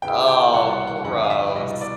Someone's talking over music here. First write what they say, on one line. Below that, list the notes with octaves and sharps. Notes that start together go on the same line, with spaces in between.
Oh, gross.
E2 C#3 E3 G5
G5
C2 B2 F#5
F#5
F#5
F2 D3 F#5
F5
E5
C2 B2 D#5
D5